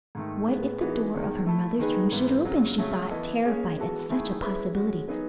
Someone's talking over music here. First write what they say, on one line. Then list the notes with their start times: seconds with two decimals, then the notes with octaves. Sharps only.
What if the door of her mother's room should open, she thought, terrified at such a possibility.
0.15 G#2 D#3 A3
0.47 A2 G#3 B3
0.80 E3 G#3 B3 D#4 F#4
1.14 E2 D#3 G#3
1.46 A3 E4 A4
1.79 D#3 G#3 D#4 G#4 B4
2.12 G#2 E3 B3
2.45 F#2 C#3 F#3
2.78 C#3 F#3 A3
3.10 E3 B3 E4 A4 D#5
3.44 G#3 C#4 G#4
3.76 E3 G#3 B3 F#4 A4
4.09 D#3 A3 E4 G#4
4.42 G#3 C#4 E4 B4
4.75 G#3 C#4 F#4
5.07 F#3 B3 D#4 G#4